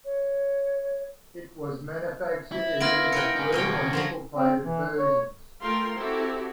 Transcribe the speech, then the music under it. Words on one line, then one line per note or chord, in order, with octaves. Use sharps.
It was manufactured in either blue or nickel-plated versions.
C#5
E4
B3 F4 F6 A#6 D7
A#4 B4 G5 C#7
D#4 G#4
D#2 B2 G#4 C#5 G5
D3 F3 F#3 C5
C4
E3
C#5
A3 F4 A#4 F5 G5 C6
C4 E4 F#4 G4 A4